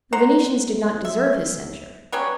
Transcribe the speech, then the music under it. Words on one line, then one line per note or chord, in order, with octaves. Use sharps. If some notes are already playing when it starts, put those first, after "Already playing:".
The Venetians did not deserve his censure.
C5 F#5 A#5
E5
F#3 G3 B3 C#4